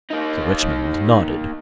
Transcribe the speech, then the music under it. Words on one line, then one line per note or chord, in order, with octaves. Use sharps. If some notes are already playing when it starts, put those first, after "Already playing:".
Sir Richmond nodded.
A#3 D#4